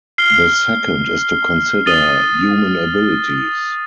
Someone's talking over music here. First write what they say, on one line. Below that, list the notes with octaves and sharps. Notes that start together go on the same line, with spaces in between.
The second is to consider human abilities.
F6 C7 G7
D#6 A6 D#7 G7